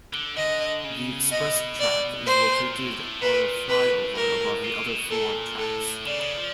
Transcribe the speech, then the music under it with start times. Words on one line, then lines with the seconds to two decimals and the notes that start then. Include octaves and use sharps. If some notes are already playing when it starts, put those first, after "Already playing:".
The express track is located on a flyover above the other four tracks.
0.13 D3
0.37 D3 D#5
0.84 C#3
1.32 B2 D#5
1.80 D5
2.26 A#2 C5
2.73 A2
3.21 A#2 B4
3.68 A2 B4
4.16 A#4
4.64 A#2
4.86 B2
5.10 A#2 A4
5.57 A2 A4
6.05 C#3 D5
6.21 C#3
6.37 F3